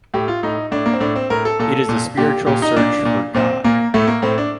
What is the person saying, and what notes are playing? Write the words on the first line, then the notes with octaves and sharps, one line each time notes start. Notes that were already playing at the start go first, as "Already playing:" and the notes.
It is a spiritual search for god.
A2 G4
F4
A2 D#4
A2 D4
A#3
C4
A2 D4
C4
A2 A#4
A4
A#2 A4
A#2
A#2 G4
A#2 G4
D#4
A#2 D4
A#2
A#2 C4
A#2 A#3
A2 A3
A#3
A2 C4
D4